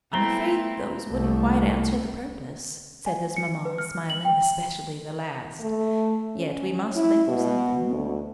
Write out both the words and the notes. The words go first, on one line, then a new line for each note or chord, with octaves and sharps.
"I'm afraid those wouldn't quite answer the purpose," said his mamma, smiling--"especially the last; yet we must think of something."
A3 B3 C4 E4 A#5 G7
C2 A3
G#5
C#7
B4
F6
F#7
G5
A3
C#4
E4
B2
D2